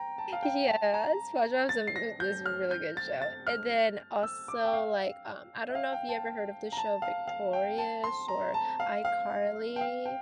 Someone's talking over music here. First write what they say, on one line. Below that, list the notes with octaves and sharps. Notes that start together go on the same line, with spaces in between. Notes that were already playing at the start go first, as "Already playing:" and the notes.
Yeah. SpongeBob's a m is a really good show, and then also, like, um, I don't know if you ever heard of the show Victorious or iCarly?
Already playing: G5 A#5
A5
F5
G5
A5
A#5
A6
C7
A#6
G6
F6
G6
A6
A6
F6
E6
D6
G5
F5
E5
F5
G5
A5
A#5
A5
F5
F5
G5
A5
C6
A#5
A5
F5
F5
G5
F5
G5